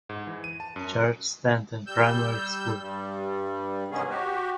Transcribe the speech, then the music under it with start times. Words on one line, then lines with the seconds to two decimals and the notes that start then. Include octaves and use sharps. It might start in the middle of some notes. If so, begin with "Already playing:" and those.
Churchstanton Primary School.
0.09 G#2
0.27 E3
0.44 D#7
0.60 A5
0.76 F#2
1.87 G3 E6 G6
2.80 G2 G3
3.91 G#2 C3 D#3 B3 C#4 G#4
4.09 F#4 G4